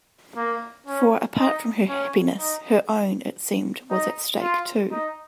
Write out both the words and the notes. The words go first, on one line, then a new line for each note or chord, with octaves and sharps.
For apart from her happiness, her own, it seemed, was at stake too.
A#3
C#4
D#4
C#4
D#4
D#4
F4
D#4